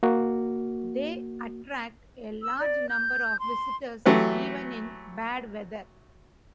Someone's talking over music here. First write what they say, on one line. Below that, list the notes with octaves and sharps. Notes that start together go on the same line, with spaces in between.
They attract a large number of visitors even in bad weather.
A#3 F#4
E6
D5
G6
C6
E3 F#3 A3 G4 B4